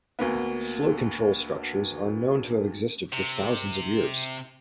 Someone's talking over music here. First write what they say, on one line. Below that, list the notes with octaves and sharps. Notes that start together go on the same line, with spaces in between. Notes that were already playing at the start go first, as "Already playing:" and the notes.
Flow-control structures are known to have existed for thousands of years.
D2 A#3 B3
C3